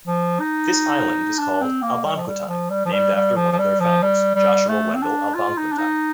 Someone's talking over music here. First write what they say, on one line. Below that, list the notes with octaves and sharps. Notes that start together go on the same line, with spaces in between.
This island is called Albonquetine, named after one of their founders, Joshua Wendell Albonquetine.
F3
D#4
D4
C4
A#3
G3
F3
G3
F3
G3
F3
G3
G3
F3
F3
G3
F3
G3
G3
A3
C4
D4
F4
D#4
D4
D#4